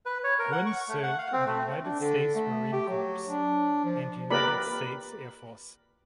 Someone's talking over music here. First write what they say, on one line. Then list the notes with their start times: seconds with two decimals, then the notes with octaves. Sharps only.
Gwynn served in the United States Marine Corps and United States Air Force.
0.06 B4
0.24 C#5
0.39 A#4
0.52 F#5
0.66 C#6
0.88 A3
1.03 F#5
1.18 F5
1.32 C4
1.46 A3
1.83 D4
2.00 D3
2.35 A3
2.73 G4
2.88 F#3
3.27 D4
3.84 F3
4.31 A#3 G4 A#4 B4 D5 B5